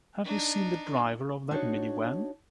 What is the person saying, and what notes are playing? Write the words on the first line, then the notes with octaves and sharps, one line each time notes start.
Have you seen the driver of that min-van?
D4 D#4
D4 D#4 F#4 C#5